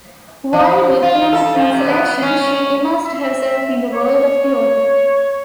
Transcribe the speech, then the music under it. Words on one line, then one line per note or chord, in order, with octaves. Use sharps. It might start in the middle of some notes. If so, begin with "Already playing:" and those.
While working on a translation, she immersed herself in the world of the author.
F3
F4
A4
F3
C3
B3
C#4
E5
C#5